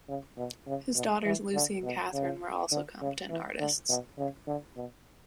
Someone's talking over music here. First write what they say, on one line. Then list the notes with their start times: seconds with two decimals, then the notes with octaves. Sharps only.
His daughters Lucy and Catherine were also competent artists.
0.09 C#3
0.38 B2
0.67 C#3
0.96 B2
1.25 E3
1.54 D3
1.83 B2
2.13 C#3
2.71 D3
3.02 C#3
3.30 E3
3.60 D3
3.89 B2
4.18 C#3
4.47 D3
4.76 B2